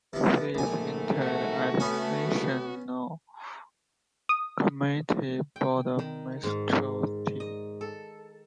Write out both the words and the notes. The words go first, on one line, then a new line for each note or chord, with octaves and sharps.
He is interred at National Cemetery Bourne, Massachusetts.
C3 F3 B4
A#1 G#2 D#3 A3 G#5
F#4
A3 B3 C#4 G#5
D#6
G5
D#3
G#2
D#5
A4